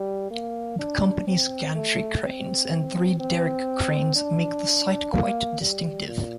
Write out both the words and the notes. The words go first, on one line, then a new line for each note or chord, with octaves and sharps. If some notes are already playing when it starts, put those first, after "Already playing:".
The company's gantry cranes and three Derrick cranes make the site quite distinctive.
Already playing: G3
A#3
D4
C4
A3
C4
C4
D4
A#3
G3
A#2